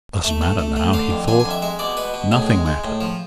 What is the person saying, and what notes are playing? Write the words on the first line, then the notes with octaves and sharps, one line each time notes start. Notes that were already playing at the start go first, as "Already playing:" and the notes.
"It doesn't matter now," he thought. Nothing mattered.
A3 E5
A3
A3
A3
D3 F5
F2
D3 G#5
G#5
F2
E5
G#3 E5
B2 D5
B2 B4
B2
A2 G#4
G#3
G#3
A2
F3